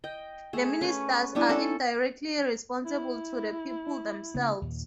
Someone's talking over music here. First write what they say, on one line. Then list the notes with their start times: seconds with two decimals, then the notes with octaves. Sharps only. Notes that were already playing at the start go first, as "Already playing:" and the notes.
The ministers are indirectly responsible to the people themselves.
0.04 D#5 G5
0.53 A3 G#4
0.81 C#4 B4
1.35 G3 B3 D4 E4
1.49 C4 C#4 A4
2.85 E4
4.34 C#3 A#3 B3
4.62 D#2 A#2